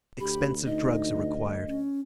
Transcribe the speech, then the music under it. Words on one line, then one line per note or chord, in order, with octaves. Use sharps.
Expensive drugs are required.
D2 G4 B5
D#4 D#5
C#4